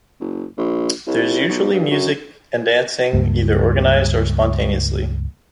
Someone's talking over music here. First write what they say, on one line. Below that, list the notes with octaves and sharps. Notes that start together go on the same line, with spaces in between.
There is usually music and dancing, either organized or spontaneously.
F#1
A#1
C2
B1
G2
F#2
C#2 G2 A#3